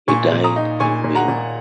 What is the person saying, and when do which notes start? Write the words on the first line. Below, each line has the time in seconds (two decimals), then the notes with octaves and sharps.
He died in Weimar.
0.08 A#2 G#5 C#6
0.32 A#2
0.44 A#5 D#6
0.56 D#4
0.80 A#2 G#5 C#6
1.04 A#2
1.15 F#5 A#5
1.28 A#2